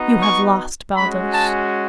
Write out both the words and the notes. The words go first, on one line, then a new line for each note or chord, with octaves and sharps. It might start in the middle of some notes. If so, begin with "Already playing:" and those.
You have lost Baldos.
Already playing: B3 D#4 F#4
C#6
G#3 C#4 F#4 B5
A5